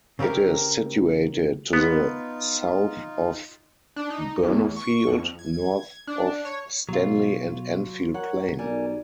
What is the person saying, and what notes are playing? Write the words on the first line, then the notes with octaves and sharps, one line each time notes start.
It is situated to the south of Burnopfield, north of Stanley and Annfield Plain.
C#3 C4 G4 A#4
B3 D#4 F4
D4
D#4
E2
C#6
F2
G#6
D4
C#5
B2 F#3 F4
A#4 C#5 F#5
B1 G3 A#4 G#5